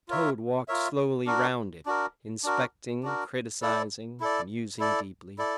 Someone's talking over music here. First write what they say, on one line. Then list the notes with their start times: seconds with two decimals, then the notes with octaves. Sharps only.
Toad walked slowly round it, inspecting, criticising, musing deeply.
0.08 F4 A#4 C#5 E5
0.68 F4 A#4 C#5 E5
1.26 D4 F#4 A#4
1.86 D4 F#4 A#4
2.44 D4 F#4 A#4
3.03 D4 F#4 A#4
3.62 E4 A4 D5
4.20 E4 A4 D5
4.79 E4 A4 D5
5.38 E4 A4 D5